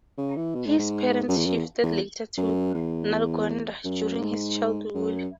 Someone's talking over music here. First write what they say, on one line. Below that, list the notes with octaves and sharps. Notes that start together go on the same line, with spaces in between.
His parents shifted later to Nalgonda during his childhood.
C#3
E3
B2
G#2
G#2
F#2
E2
F#2
E2
E2
F#2
E2
F#2
G#2
F#2